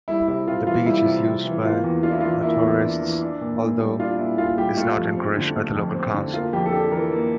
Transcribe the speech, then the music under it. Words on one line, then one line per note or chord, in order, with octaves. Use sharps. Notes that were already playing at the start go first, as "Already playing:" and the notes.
The beach is used by naturists, although is not encouraged by the local council.
G3 E4
C3 E4
C3 F4
E3 F4
G3 E4
C3
C3
E3
A#3 F4
E2
D4 F4
E4
E3 F4
A#3 E4
E2
D4
E3
D4
A#2
A#2
G3
D4 F4
A#2 E4
A#2 F4
G3 G4
A3 F4
F2
C4
D3
A3
F2
C4
D3
A#3 F4
F2 G4
A4
D4 G4
E3 A#4
A#3